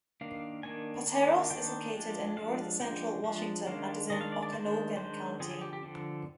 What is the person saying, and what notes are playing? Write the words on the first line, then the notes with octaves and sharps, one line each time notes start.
Pateros is located in north central Washington and is in Okanogan County.
D#3 A#3 D4 F5
D#3 A#3 D4 G#5
D#3 A#3 D4
D#3 A#3 D4 G5
F3 G#3 D4
F3 G#3 D4 F5
F3 G#3 D4 G5
F3 G#3 D4
D#3 G#3 D4 F5
D#3 G#3 D4 D#5
F5
D5
D5
D#3 G#3 D4 C5
D#3 G#3 D4 C5
D3 F3 C4 G#4
G#4
G4
G4
D3 F3 C4